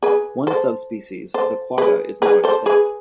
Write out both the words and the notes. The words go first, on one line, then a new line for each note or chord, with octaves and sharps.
One subspecies, the quagga, is now extinct.
G#4 B4
A4 C5
A4 C5
G#4 B4
G#4 B4
A4 C5
G#4 B4